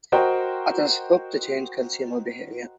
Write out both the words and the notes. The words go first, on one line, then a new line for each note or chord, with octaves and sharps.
Others hope to change consumer behavior.
F#4 A#4 C5 D#5 G5